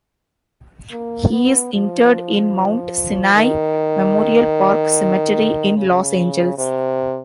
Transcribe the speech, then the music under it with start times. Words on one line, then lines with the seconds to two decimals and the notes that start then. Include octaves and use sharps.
He is interred in Mount Sinai Memorial Park Cemetery in Los Angeles.
0.92 A#3
1.32 B3
1.73 F3
3.34 D#3
5.77 C#3
6.58 C3